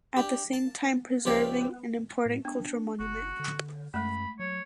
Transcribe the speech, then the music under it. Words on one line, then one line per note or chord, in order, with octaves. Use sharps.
At the same time preserving an important cultural monument.
D4 G4
A5
C#2 F3 G4 D5 E5
A2
B3 D4
F#1 F#4
D3
F#2 G#3 A3 B5
F#3 C#5